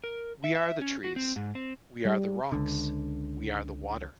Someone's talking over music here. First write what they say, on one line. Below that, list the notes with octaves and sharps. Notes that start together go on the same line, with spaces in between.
We are the trees, we are the rocks, we are the water.
A#4
E5
E5
C#4
F#4
C4
G#2
C4
G3
C#2 D3